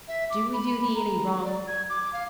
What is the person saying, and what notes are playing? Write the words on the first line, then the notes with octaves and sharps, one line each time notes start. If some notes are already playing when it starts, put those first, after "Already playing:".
Do we do thee any wrong?
E5
D6
B5
A#5
D5
G#6
D6
F5